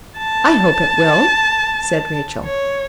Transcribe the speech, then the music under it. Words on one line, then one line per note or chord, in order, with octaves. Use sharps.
"I hope it will," said Rachel.
A5
C#5